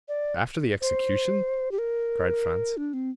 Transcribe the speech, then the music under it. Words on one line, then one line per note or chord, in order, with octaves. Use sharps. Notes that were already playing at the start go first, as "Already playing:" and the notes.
"After the execution?" cried Franz.
D5
C5
G4
A#4
D4
C4